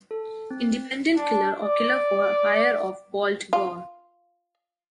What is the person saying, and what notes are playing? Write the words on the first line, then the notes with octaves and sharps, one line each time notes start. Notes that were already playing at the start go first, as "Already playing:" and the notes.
Independent killer or killer for hire of Paul Tabor.
A4
C4
D4
D5
F4